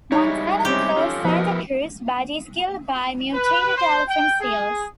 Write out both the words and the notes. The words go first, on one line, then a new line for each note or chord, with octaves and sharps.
Montana kills Santa Cruz, but is killed by mutated elephant seals.
G3 G#3 D#4 E4 C#5
C3 C4 C#4 G4
C#4 F4 A4
B2 F3 E4 A#4 B4 D#5
B4
C5
G5
G#4